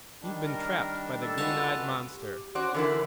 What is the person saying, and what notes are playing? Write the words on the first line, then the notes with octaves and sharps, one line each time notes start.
You've been trapped by the green-eyed monster.
D#3 G3 D4
A#4
A4 D5 E5
C#2 F4 F#4 B4 C#5 A5
G4
C#4 F#4 C5 D5
D3 E3 E4 A#4